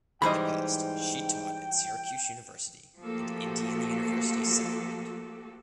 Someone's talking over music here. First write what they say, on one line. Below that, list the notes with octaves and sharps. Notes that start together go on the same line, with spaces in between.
In the past she taught at Syracuse University and Indiana University South Bend.
G#2 E3 G3 C5 D#5 G5 B5
F3 A3 A#3 F#4 G4 A4